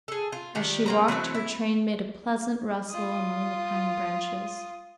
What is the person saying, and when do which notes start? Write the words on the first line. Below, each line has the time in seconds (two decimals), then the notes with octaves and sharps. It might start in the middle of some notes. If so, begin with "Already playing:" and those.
As she walked, her train made a pleasant rustle among the pine branches.
0.08 G#4 A4
0.32 F4
0.55 D#3 D4 G4
0.86 A#3 C4 A#5
1.08 E3 F#3 A3 C4
1.35 E4
2.90 F4 D#6